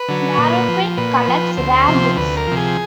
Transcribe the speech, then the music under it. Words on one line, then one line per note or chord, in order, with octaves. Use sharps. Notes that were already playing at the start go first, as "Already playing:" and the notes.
Larroquette collects rare books.
Already playing: B4
D3 F#3
A#2
F3
A#2 B4
F3
D2 C5
C3 F3
D2 B4
A#4
C3 F3
G#4